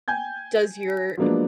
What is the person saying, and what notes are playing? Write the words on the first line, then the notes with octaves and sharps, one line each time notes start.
does your
G5 G#5 G6 G#6
F3 F#3 G#3 A#3 B3 D4